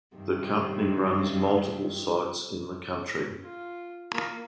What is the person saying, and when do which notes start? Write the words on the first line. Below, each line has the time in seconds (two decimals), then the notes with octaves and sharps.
The company runs multiple sites in the country.
0.16 G2 C3 D#3
3.42 F4
4.13 A#3